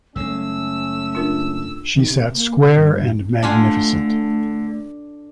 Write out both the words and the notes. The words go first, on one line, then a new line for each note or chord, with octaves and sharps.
She sat square and magnificent.
F#1 G#3 A3 C#4 E6
D4 F4 A#4
D#3
C3
A#3
C3
G2
D3 A3 D4 F4 G#5